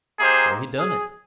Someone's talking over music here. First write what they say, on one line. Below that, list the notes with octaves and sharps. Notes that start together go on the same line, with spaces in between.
So he done it.
A#3 D#4 G4 G#4 C5
G#4